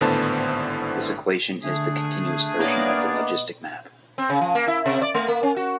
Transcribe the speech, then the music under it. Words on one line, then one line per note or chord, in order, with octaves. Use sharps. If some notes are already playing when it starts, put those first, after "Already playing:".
This equation is the continuous version of the logistic map.
G#1 A2 D3 B3 C5 A5
D3 A3 D4 G#4
A#3 B3 C#5 D5
D#5
C4
C#3
F3
A#3
E4
C3
D5
A3
A#3
C#4
F#4